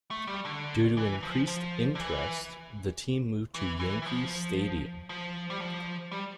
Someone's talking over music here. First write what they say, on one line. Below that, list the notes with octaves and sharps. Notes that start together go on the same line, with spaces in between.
Due to increased interest, the team moved to Yankee Stadium.
A3
G3
D3
E3
F3
F3
D3
E3
E3
E3
E3
F3
F3
G3
F3
G3